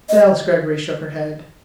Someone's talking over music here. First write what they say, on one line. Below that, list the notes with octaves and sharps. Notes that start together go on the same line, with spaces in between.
But Alice Greggory shook her head.
D#5